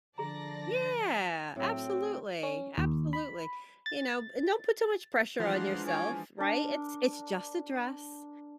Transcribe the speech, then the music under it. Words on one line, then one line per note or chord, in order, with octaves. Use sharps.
Yeah, absolutely, absolutely. You know b don't put too much pressure on yourself, right? It's it's just a dress,
D3 F3 G#4 D5 A5 A#5 A#6
A2 F#3 C4
C#4
D#2
B5
A6
E3 F3 G#3 D4 F#5 A#5 C6
C#5 G#5 D6
D4 A#4